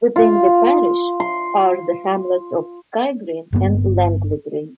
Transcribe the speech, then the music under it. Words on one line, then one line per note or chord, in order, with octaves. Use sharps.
Within the parish are the hamlets of Skye Green and Langley Green.
F4
C6
G1 G2 A#3 B3